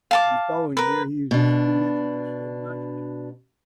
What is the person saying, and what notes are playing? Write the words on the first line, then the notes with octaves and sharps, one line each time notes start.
In the following year he used this same method to study nitrogen.
F5 A5 D6
A#4 B4
B2 D4